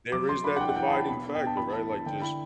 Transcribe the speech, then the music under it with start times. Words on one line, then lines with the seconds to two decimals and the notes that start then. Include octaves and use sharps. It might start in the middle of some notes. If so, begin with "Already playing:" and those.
there is that dividing factor, right, like, just
0.12 F#3 D6
0.29 F#3 C6
0.44 D4 B5
0.56 F#5
0.60 E3 G5
0.69 F#5
0.76 E3 G5
0.87 A5
0.93 D4 B5
1.08 B2 B5
1.25 D4
1.35 G5
1.41 B3
1.47 A5
1.57 E3 B5
1.73 E3 A5
1.89 D4 A5
2.06 D3 G5
2.22 E4 B5